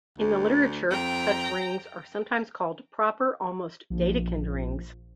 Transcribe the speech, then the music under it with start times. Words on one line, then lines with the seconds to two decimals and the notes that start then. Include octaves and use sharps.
In the literature such rings are sometimes called proper almost Dedekind rings.
0.18 D2
0.91 F2 G5 A#5
3.90 A#1 F3